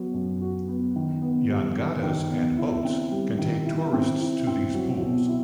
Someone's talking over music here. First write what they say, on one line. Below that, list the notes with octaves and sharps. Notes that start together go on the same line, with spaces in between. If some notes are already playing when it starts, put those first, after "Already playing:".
"Jangadas" and boats can take tourists to these pools.
Already playing: F#3 B3
F#2
F#4
B3
D#3
B3
G3
D#3
D#3
B3
E4
C4
G3
D#3
E4
C4
E4
C4
F#3
B2
E4